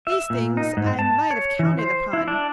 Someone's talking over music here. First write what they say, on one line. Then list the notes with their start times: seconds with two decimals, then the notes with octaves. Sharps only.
These things I might have counted upon.
0.07 E5
0.30 A#2
0.57 D#4
0.77 G#2
0.99 A5
1.31 C#5
1.59 E3
1.79 C5
2.13 E4
2.28 D4